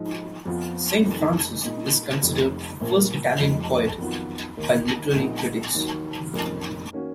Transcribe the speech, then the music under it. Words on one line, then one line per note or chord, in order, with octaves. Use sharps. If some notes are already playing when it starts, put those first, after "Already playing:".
Saint Francis is considered the first Italian poet by literary critics.
Already playing: G#2 F3 G#3
F2 F3 B3 F4
F1 F2 D#3
A#2 G#3 D#4
F1 F2 D#3
A#1 A#2 F3 A#3 F4
F1 F2 F3 G#3 D#4
F2 D#3 F#3 B3 F4
D#2 D#3 A#3 D#4
A#1 A#2 G#3 B3 D#4
D#2 D#3 F#3
F1 F2 D#3 A#3 C#4
D#3 A#3 C#4 F#4